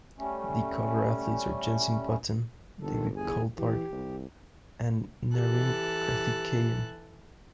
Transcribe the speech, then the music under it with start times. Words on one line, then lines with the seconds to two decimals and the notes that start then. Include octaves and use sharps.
The cover athletes are Jenson Button, David Coulthard and Narain Karthikeyan.
0.19 G3 A3 C#4
2.82 G1 D#3 A4
3.17 E2 G#4 G#5
3.58 E3 G4
3.91 C2
5.35 E3 G4 A4 F#6